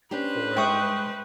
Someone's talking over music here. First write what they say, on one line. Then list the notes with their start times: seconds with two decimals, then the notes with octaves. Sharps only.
for, um,
0.11 C#4 D4 G4 B4 C5
0.57 G#3 E5 G5 C#6 D#6